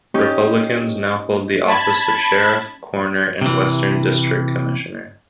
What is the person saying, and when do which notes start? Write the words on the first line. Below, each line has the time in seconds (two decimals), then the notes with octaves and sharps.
Republicans now hold the office of Sheriff, Coroner, and Western District Commissioner.
0.14 C#4 D#4 G4
1.67 A5 B5 G#6
3.41 C3 E3